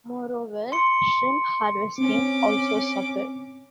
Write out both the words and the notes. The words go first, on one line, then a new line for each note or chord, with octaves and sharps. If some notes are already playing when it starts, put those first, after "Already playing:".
Moreover, shrimp harvesting also suffered.
C6 C#7
C4 C#4 D6